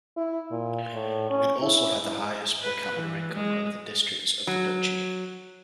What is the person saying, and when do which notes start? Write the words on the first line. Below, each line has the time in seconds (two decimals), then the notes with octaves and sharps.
It also had the highest per capita income of the districts of the duchy.
0.17 E4
0.51 A#2
0.94 A2
1.30 C#4
1.62 E4
2.62 B4
2.96 E3
3.32 G#3
4.47 F#3